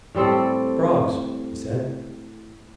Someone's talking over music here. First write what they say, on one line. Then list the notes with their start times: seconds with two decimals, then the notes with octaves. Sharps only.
"Frogs," he said.
0.15 A2 G3 C4 A4